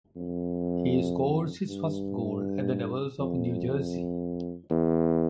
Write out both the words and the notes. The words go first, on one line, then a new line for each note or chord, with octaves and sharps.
He scores his first goal at the Devils of New Jersey.
F2
G2
F2
E2